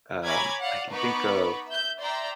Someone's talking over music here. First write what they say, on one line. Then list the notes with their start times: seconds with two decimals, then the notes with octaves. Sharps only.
uh, I can think of
0.25 C#5 G#5 A#5 B5 D6 G#6
0.61 D5 F5 F#5
0.91 B3 D#4 B4 B5 C#6 D6
1.69 E5 G6
2.01 D5 E5 G5 A#5 C6